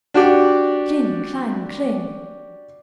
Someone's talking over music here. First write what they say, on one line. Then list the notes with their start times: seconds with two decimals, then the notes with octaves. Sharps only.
Cling, clang, cling!
0.14 D4 F#4 G4 D5